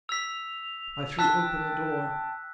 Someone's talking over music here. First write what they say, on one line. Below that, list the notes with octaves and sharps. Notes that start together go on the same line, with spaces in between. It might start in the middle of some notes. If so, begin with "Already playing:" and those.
I threw open the door.
E6 B6 F7
G5 A5 E6 F#6 B6